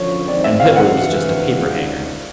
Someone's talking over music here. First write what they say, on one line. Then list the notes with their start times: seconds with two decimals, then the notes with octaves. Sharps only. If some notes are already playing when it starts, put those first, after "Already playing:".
"And Hitler was just a paper-hanger."
Already playing: F#2 D3 F3 C#5
0.28 G#2 D#3 G#3 C4 D5
0.44 E5
0.60 F5
0.75 F#5
0.91 D2 C3 E3
1.54 C#2 C3 D#3 G#3